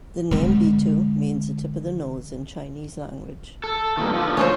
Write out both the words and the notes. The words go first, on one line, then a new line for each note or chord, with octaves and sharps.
The name "Bitou" means the tip of the nose in Chinese language.
D3 G#3
A4
G2 A#2 D#3
D3 F3
C#4 F4 C5